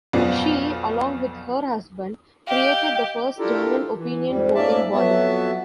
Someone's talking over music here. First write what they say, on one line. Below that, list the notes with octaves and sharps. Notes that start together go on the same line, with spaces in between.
She, along with her husband, created the first German opinion-polling body.
B1 F2 F3 B3 F4 D5
G4 D#5 F5 G5
D4 E4 F4 G4 A4 A#4
E3
F2 G#2 G3
G#2 A#3 C#4 D5 E5 A5
F2 F#3 B3 F#4 E5 A5